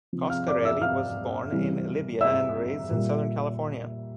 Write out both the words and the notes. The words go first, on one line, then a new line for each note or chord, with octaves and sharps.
Coscarelli was born in Libya and raised in Southern California.
C3 F3
F5 F6
D5 D6
E5 E6
F5 F6
C3 E3 G3
E5 E6
A#2 G3